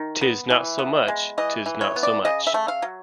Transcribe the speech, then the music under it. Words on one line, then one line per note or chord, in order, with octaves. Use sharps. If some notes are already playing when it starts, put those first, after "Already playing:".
'Tis not so much, 'tis not so much!
Already playing: D#3
B3
E3
B3
G#3
E3 D#5
E3
C#5
B3
D5
C#3 D#5
E5
A3
F5
F#3